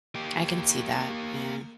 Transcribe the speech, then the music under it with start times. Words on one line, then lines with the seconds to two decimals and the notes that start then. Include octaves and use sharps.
I can see that, yeah.
0.15 A#3 G4